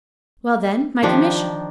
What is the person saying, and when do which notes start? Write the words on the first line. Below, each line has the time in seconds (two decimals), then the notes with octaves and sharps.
"Well, then,--my commission?"
1.03 D#3 F3 D4 G4